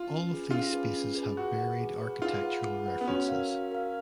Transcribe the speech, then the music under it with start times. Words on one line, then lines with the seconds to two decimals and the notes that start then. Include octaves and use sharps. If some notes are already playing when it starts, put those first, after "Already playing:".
All of these spaces have varied architectural references.
Already playing: F4
0.09 C#4
0.30 G#4 B4
0.51 C#4 F4
0.73 G#4 B4
0.94 C#4
1.15 G#4 B4
1.36 F#4 G#4
1.58 B4 F#5
1.80 G#4
2.01 B4 F#5
2.22 F4 G#4
2.44 B4 F#5
2.65 G#4
2.86 B4 F#5
3.01 B3
3.08 C#4 F#4
3.29 A#4 F5
3.50 F#4
3.72 A#4 F5